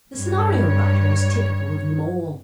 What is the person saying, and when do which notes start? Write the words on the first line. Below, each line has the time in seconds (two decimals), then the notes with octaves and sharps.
The scenario writer was typical of them all.
0.17 G2 C#5